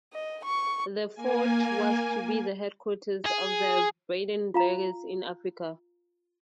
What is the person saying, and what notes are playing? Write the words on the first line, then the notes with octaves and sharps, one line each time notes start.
The fort was to be the headquarters of the Brandenburgers in Africa.
D#5
C#6
A#3 G#5
G#4
F4 F5 A#5